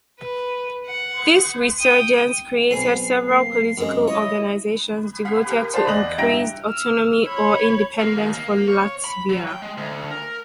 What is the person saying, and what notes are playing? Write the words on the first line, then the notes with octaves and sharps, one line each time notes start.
This resurgence created several political organisations devoted to increased autonomy or independence for Latvia.
B4
F#5
G5 D#6
B1 C4 G#5 C7
A#3 C7
F#2 C3 G#3
E4 C#5 D#5
F5 F#5 B6
G4 A#4
C5 D5 F5 A5
E2 D5 D#5 F#6 F#7
G2 E4 G5 A#5 A#6 D7
E6 F6
C#5 B5
A#3
D#2
A#3
C#5
B5
F#3
G5
G#3
D2
A#4